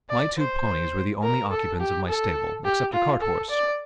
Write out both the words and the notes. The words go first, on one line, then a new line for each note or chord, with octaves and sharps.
My two ponies were the only occupants of my stable except a cart-horse.
D5
C5
A#4
A4
G4
A4
G4
F4
A4
D5